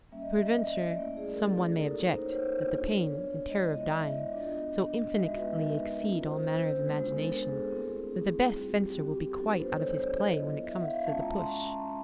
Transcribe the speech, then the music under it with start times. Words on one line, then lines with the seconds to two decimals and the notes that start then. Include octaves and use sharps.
Peradventure, some one may object, that the pain and terror of dying so infinitely exceed all manner of imagination, that the best fencer will be quite out of his play when it comes to the push.
0.12 G3 A#3 C#4 E5
0.22 D#5
0.33 D5
0.44 D#5
0.96 A3 C#4 E4 D5
1.17 G#4
1.33 A#4
1.38 A4
1.49 A#4
1.59 A#4
1.70 A4
1.80 A#3 D#4 F#4 A#4
2.01 C5
2.23 C#5
2.33 C5
2.43 B4
2.53 C#5
2.64 B3 D4 F4 D5
2.85 C#5
3.06 C#5
3.49 G#3 B3 E4 D#5
3.59 D5
3.69 D#5
3.80 E5
4.32 B3 D4 F4 D#5
5.11 D#5
5.16 G#3 B3 D#4 F#4 E5
5.38 B4
5.59 A#4
6.01 A#3 C#4 F4
6.22 C5
6.85 G#3 B3 D4 F#4
7.17 A4
7.27 A#4
7.48 G#4
7.69 A3 C4 E4
8.11 G#4
8.53 G3 C4 F4 F#4
8.75 G4
8.96 F#4
9.06 G4
9.17 G4
9.27 A4
9.37 F#3 B3 D4 F4 A4
9.48 B4
9.59 C5
9.69 C#5
9.79 D5
10.00 C#5
10.21 B3 E4 D#5
10.63 E5
10.74 E5
10.80 F#5
10.85 F5
10.95 E5
11.06 G#3 C#4 F4 A5
11.20 A#5
11.33 C6
11.47 C#6